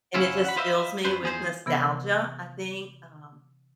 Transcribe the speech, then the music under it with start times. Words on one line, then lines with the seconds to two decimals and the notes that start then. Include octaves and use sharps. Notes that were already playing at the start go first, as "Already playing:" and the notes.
and it just fills me with nostalgia. I think, um
0.14 F#2 C#3 F#3 C#4 E4 F4
0.44 F#5 B5
0.56 F4 B4 C5 D#5 E5
1.05 F#2 F#3 B4 C5
1.23 E2 G#4 C5
1.66 C3 E3 B3 A#4 B5